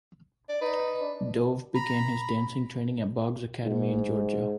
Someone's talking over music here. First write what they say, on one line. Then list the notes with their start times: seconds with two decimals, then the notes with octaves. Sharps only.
Dove began his dance training at Boggs Academy in Georgia.
0.49 D5
0.61 D#4 B4
1.00 D4
1.75 A#5 B5
3.64 G#2